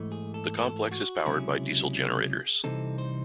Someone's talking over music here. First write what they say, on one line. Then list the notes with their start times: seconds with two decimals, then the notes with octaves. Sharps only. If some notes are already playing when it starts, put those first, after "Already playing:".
The complex is powered by diesel generators.
Already playing: G#2 E3 A3
0.12 G#4
0.34 A4
0.58 A4
0.91 F#4
1.26 C#2 C3 F#3 C#4 E4 G#4
2.64 C2 C3 E3 C4 D#4 A4
2.98 C5